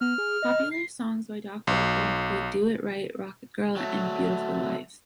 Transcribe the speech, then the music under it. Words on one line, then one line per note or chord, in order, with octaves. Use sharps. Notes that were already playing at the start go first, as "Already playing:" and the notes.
Popular songs by Doc Walker include Do It Right, Rocket Girl, and Beautiful Life.
B3 F6
G#4
D#5
C7
B1
F#3 A3